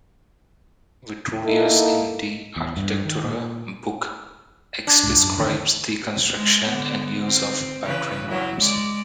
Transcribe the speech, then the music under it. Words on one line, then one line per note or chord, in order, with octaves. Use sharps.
Vitruvius in "De Architectura "Book X describes the construction and use of battering rams.
A#3 D#4 E4 A4
E2
G2
D#3
A#2
D4
C2 G#2
F#2
E2 D3 D#3
G#3
D3 B3
C4
C#3 E3 B4
F#3 E4
G#3 D5